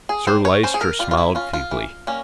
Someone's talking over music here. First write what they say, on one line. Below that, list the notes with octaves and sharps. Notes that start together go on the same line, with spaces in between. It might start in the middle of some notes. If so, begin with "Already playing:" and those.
Sir Lyster smiled feebly.
G#4
G3 C5
C#5
C#4 C5
G#4
A#4
G3 F4
F4
E4
C#4 F4
F4
E3
G3 A#3 C#4